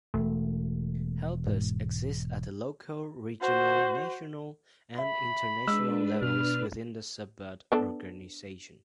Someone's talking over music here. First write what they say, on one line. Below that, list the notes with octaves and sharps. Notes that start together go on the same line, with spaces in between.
Helpers exist at the local, regional, national, and international levels within the Subud organization.
E1 A3
G#2
F#4 C5
E5 B5
G#3 D4 B4 E6
B2 F6
B3 D4 A4